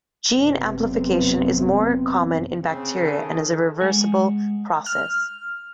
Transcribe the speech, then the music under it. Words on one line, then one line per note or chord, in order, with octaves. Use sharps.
Gene amplification is more common in bacteria and is a reversible process.
F#1 F#2 C3 B3 C4
C#3 C4
D#3 A4
G#3 F#5 G#5
F6